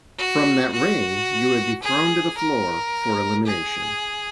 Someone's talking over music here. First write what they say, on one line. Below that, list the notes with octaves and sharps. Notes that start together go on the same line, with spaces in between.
From that ring you would be thrown to the floor for elimination.
F#4
F#4
G#4
A#4
G#4